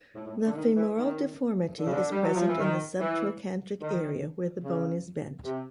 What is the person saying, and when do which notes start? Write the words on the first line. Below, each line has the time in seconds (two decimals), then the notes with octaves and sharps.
The femoral deformity is present in the subtrochantric area where the bone is bent.
0.15 A2
0.27 A2
0.46 D3
0.56 D#3
0.76 E3
0.97 D#3
1.78 D3
1.86 C#3
1.92 D3
2.10 G3
2.23 F#3
2.35 F3
2.48 E3
2.60 D#3
3.00 E3
3.81 D#3
4.63 C#3
5.45 C3